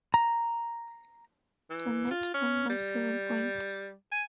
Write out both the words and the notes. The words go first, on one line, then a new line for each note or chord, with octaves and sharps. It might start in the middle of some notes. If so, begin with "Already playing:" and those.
The Nets won by seven points.
A#5
E3
F4
C#4
G3
G#5